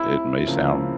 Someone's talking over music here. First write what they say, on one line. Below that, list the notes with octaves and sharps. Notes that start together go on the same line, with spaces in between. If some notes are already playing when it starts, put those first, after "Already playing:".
that may sound,
Already playing: D2 C3 E4
C#3 F3 A#3